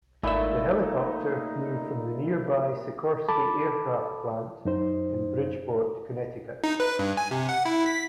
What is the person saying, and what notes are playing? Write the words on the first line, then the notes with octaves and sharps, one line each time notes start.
The helicopter flew from the nearby Sikorsky Aircraft plant in Bridgeport, Connecticut.
G#1 A#2 A3 D#4 E4 E5
A4 A5 B5 D6
F#2 D#4 C5
D#4
B4
G2
G#5
C3
F#5
E4
B6